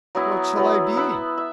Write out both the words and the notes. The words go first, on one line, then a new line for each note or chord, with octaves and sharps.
"What shall I be?"
F#3 B3 E4
F#3 B3 E4
B3 E4 B4 E5
E5